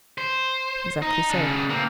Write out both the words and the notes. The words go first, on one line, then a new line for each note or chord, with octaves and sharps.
"Exactly so."
C5
D#4
C#3 D4
A#3 C4